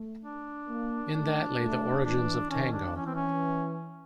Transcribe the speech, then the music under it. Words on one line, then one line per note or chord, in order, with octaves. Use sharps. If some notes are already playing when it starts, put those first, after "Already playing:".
In that lay the origins of tango.
Already playing: A3
D4
A#3
A3 D4
A3
E3 D4
D#3 C#4
D4
E3 C#4
C4
C#4